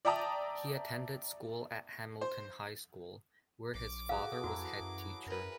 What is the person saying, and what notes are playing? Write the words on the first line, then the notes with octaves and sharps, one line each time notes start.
He attended school at Hamilton High School, where his father was head teacher.
D5 E5 G5 A5 A#5 D#6
C5
A#1 D6
F#4 G#4 A4 F5
F2 E3 F#3 E4 F#4
F#2
F#2 A#4 B4